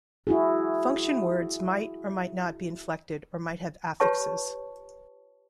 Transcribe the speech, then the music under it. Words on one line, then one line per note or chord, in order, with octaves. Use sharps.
Function words might or might not be inflected or might have affixes.
E4 F#4 G#4
F4 G4 B4 C#5 A5 C#6